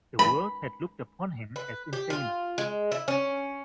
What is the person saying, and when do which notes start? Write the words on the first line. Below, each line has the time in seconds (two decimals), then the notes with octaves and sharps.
The world had looked upon him as infamous.
0.19 B5
1.56 B4
1.93 G4
2.10 F4
2.58 G#3
2.92 E4
3.08 C#4